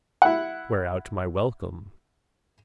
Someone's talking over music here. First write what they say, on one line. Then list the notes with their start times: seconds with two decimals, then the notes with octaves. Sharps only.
Wear out my welcome.
0.22 E4 F#5